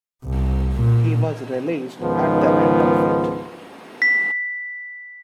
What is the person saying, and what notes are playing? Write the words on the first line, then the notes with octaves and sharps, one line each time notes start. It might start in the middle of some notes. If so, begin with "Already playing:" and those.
He was released at the end of it.
C2
A#2
C#2 G#2 D#3 F3 B3
B6